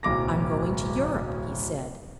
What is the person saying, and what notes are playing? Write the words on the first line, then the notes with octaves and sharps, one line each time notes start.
"I'm going to Europe," he said.
D1 B1 D6 A#6